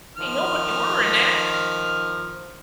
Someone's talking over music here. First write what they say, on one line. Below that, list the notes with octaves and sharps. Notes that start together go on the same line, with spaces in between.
Ain't nobody ordering that."
D#3 F3 F6